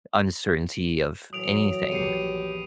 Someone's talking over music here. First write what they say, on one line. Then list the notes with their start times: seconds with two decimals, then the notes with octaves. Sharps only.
uncertainty of anything
1.33 A2 E3 F#3 D#6 D7 F7
1.92 A#1 E2 G4 C7 C#7 D#7